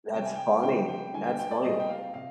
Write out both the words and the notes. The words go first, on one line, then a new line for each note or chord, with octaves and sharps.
That's funny, that's funny.
C3 G3 G5
G#5
G5
D3 F3 G5
G5
D3 G3 G#5
G5
G5
D5
A#2 G3 D#5
G5
F5
C3 F5